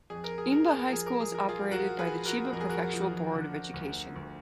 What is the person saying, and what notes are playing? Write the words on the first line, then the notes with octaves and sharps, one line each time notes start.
Inba High School is operated by the Chiba Prefectural Board of Education.
F2 G#4
A#4
G#4
F3 A#4
G#4
A#4
F3 G#4
A#4
G#4
F3 A#4
F4 G#4
F3 F#4 A#4
G#4 B4
F3
F#4 A#4
F2 A#4
G#4
F#4 A#4
F3
D3
D2
D2